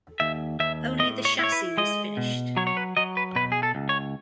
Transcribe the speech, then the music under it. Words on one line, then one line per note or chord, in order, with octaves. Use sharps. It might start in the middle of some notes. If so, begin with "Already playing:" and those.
Only the chassis was finished.
D#2 E5
D#2 E5
A2 D#5
C#5
E4 C#5
B4
G#3 D#5
B2
F#3 C#5
C#5
B4
F#3 D#5
B4
B2 B4
G#4
A4
C#2
C#5